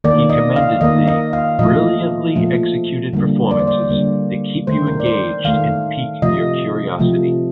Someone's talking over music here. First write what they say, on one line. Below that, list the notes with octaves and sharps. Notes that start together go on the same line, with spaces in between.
He commended the "brilliantly executed performances that keep you engaged and peak your curiosity".
D#3 A#3 D5
D#5
F5
D#3 A#3 D#5
D#5
F5
A#2 F3 A3 D#5
A#2 F3 A3
D3 G3 A#3
D5
C5
D5
D3 G3 A#3
D#3 A3 C5
A#4
D5
C5
D#3 A3 F5
C3 F3 A3 D#5
C3 F3 A3